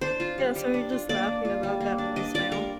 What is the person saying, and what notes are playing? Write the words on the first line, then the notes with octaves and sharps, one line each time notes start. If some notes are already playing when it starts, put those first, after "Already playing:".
Yeah, so we're just laughing about that voicemail.
D4 C5
F4
G3
G3
D4
F4
A#3 D5
D4
F4
G3
A#3
D4
D4 D#5
F4 D5
G3 A#4